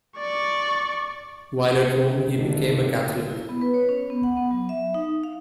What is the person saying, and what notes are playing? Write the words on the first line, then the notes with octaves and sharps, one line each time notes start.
While at Rome he became a Catholic.
D5 C#6
G#1 D3
E4
B3
B4
C#5
C#4
B3
F#5
B3
F#3
E5
D#4
F5